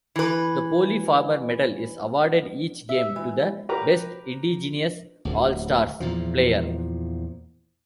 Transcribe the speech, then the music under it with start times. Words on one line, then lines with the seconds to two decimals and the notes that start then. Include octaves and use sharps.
The Polly Farmer Medal is awarded each game to the best Indigenous All-Stars player.
0.16 E3 B4
2.89 E5
3.16 E3
3.69 G4 A#4 B4 A#5
5.25 D1 D2
6.00 E2 A#2 F3